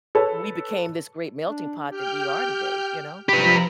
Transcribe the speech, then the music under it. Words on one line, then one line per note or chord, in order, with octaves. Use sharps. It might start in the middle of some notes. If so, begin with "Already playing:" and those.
we became this great melting pot that we are today, you know?
A4 B4 C#5
D4
G4 G5 F6 G6
C3 F3 G4 B4 A#5 B5